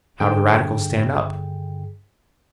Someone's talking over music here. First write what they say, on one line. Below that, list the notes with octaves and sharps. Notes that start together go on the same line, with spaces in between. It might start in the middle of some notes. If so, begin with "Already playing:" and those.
"How do the radicals stand up?"
G2 D3 G#4 G5